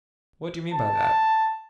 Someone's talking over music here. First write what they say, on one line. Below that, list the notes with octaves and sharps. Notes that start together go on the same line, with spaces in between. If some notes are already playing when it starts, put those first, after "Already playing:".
"What do you mean by that?"
A5